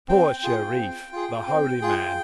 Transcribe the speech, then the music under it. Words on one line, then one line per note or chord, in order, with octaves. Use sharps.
Poor Shereef!—the holy man!
C4 G5
F4 G#4
C4
F4 G#4
C4
F4 G#4